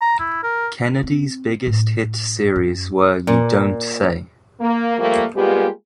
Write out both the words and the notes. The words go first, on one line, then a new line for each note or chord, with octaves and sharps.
Kennedy's biggest hit series were You Don't Say!
A#5
E4
A#4
C4
A2
F#2
A#2
A#3
F3 G3 A3 A#3
G3 G#3 A#3 B3 F4 G4